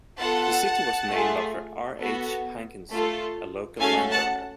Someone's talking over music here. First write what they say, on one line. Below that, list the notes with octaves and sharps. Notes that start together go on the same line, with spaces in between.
The city was named after R. H. Hankinson, a local land owner.
B3 F4 A4 F#5 A5
A3 F4 G#4
B3 F#4 A4
A3 F4 A4
A3 C#4 F#4 A4 F5 G#5
F#5 A5